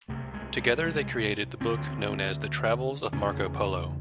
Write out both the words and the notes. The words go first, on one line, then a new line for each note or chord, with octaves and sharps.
Together they created the book known as "The Travels of Marco Polo".
C2 C3 A3
G#3
G3
G#3
D2 D3 C4
E2 C#3 C#4